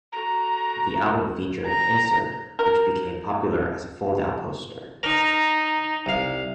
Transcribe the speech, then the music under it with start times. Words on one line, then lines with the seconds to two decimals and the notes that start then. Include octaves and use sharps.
The album featured an insert which became popular as a fold-out poster.
0.12 F#4 A4 A#5
1.68 A#5
2.59 A#4
5.03 D#4 A#4
6.06 C2 F5